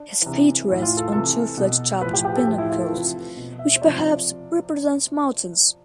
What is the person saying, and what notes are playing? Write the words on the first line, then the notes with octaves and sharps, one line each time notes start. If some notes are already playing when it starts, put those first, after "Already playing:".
His feet rest on two flat-topped pinnacles which perhaps represent mountains.
Already playing: D4
C3 E3
A2 E3
F4
A4
C3 E3 A4
B2
A2 F3 B4
G4
G4
A4
A2 F3 G4
E4
F4
A4
C3 F3 B4
B2
E5
C5
C3 F3 D5